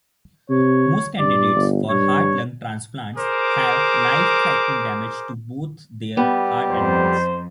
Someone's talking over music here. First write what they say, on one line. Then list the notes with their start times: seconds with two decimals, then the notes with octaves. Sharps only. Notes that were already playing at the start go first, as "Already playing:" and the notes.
Most candidates for heart-lung transplants have life-threatening damage to both their heart and lungs.
0.50 C3 C#5
1.19 G2 D5
1.54 G1
1.89 G2 C#5
3.16 G#4 A#4 C5 D6
6.17 G3 B3 G4
6.71 F2 C5